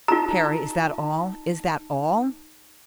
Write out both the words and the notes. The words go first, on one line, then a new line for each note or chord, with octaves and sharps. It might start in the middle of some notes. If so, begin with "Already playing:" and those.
"Parry, is that all?--is that all?"
D#4 F4 A5 A#5